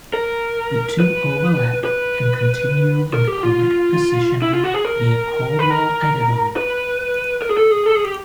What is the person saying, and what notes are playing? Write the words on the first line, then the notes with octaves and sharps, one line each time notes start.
The two overlap and continue in the "correct" positioning near Caldwell, Idaho.
A#4
B4
B4
A#4
G4
F4
E4
F4
F#4
G#4
A#4
B4
A#4
B4
A#4
G#4
A4
G#4
A4
G#4
G4